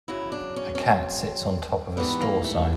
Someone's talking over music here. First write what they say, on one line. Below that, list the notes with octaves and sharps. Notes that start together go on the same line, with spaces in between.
A cat sits on top of a store sign.
F#2 C#3 F#3 E4
D4
C#4
C#4
C4
G#2 E3 G3 B3
A#3
A3